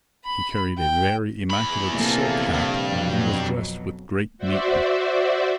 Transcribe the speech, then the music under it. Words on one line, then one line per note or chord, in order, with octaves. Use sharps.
He carried a very immaculate silk hat and was dressed with great neatness.
B5
G5
E2 B5
A#1 C3 A#3 A4 F5
G2
F2 B2 F#3
F#4 C5 D5 E5